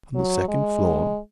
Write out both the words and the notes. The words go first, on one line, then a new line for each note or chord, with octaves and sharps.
"On the second floor?"
F#3
G#3